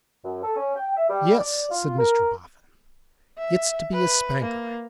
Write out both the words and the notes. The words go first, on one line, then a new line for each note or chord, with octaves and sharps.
'Yes,' said Mr Boffin, 'it's to be a Spanker.
F#2
A4
C#4
G5
E5
G3
D5
F4
A#4
E5
B4
A#3